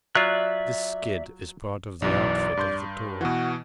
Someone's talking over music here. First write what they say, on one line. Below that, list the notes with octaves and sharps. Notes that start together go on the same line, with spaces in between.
This skid is part of the outfit of the tour.
F#3 F4 D5 E5 F#6
B1 F#2 E3 D5
G2 C6 G6
B2 E3 F#4